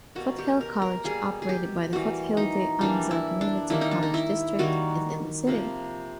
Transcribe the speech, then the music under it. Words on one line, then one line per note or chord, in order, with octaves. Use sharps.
Foothill College operated by the Foothill-De Anza Community College District is in the city.
B2 G3 A#3 F#4
G4
A#4
A#4
B2 G3 A#3 G#4
G#4
G4
E3 G3 A#3 F#4
D#4
E3 G3 A#3 D4
E4
D4
D#3 G3 A#3 E4
D#4
D4
D#4
E4
D#3 G3 A#3 F#4
C3 F3 A#3